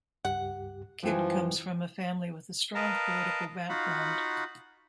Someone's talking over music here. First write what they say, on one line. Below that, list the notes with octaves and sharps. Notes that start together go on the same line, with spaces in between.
Kitt comes from a family with a strong political background.
C#2 G2 G4 F#5
F#2 E3 F3 G3 G5 G#5
A#4 B4 D#5 F5 A5 A#5
D#4 F4 F#4 F5 F#5 B5